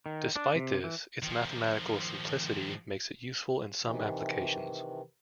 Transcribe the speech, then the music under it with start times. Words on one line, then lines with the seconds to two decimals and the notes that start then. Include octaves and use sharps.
Despite this, its mathematical simplicity makes it useful in some applications.
0.06 D#3
0.36 D4
0.56 C3
0.84 E3
1.23 D#3 F3
3.84 C3 D#3 E3